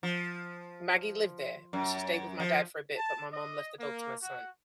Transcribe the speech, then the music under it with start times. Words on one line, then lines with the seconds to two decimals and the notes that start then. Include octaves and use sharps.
Maggie lived there, and she stayed with my dad for a bit, but my mom left the dog to my son,
0.03 F3
1.73 F#2
2.40 F3
2.98 A5
3.32 D#5
3.78 A#3
4.23 F#4